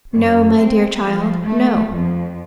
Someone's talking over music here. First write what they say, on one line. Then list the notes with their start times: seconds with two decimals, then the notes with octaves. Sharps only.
No, my dear child; no.
0.12 F#2
0.59 C4
1.00 F3
1.43 A3
1.91 F2